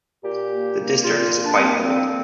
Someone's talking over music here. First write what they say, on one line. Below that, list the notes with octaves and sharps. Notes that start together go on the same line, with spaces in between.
The district is quite old.
A#2 G4
A#3
A#3
A#2 F4
A#2
D4
A#3 C4
C4
D3